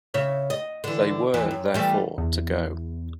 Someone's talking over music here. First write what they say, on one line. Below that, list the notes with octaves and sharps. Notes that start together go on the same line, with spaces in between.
They were, therefore, to go.
C#3 C#5 E5
D#5
D3 E3
D#2 E3
F#2
E3 G3 A3
E2